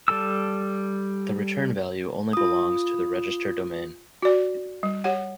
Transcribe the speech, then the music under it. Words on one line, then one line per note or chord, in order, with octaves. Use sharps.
The return value only belongs to the register domain.
G3 A4 A5 E6
F4 D#6
F#4 D5
G3
G4 C#5 F#5